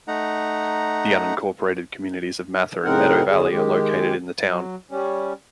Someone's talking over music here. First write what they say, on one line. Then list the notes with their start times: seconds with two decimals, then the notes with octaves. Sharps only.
The unincorporated communities of Mather and Meadow Valley are located in the town.
0.08 A3 D#4 F#5 A#5
2.84 A2 C#3 C4 D#4 A#4 F#5
3.30 E2 D3 G#4
3.51 D#3 G#3 G4
4.46 F#3
4.91 G3 C#4